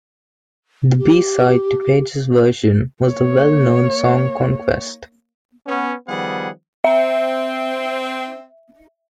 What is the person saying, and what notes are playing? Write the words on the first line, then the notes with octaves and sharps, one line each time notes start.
The b-side to Page's version was the well-known song Conquest.
G4
A#3 C#5
B3 C#4
D#3 F3 G3 B3 G#4 F#5
C4 E5